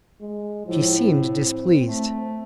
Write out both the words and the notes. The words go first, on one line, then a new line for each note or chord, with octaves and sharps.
She seemed displeased.
G#3
A2 F3
C4
A3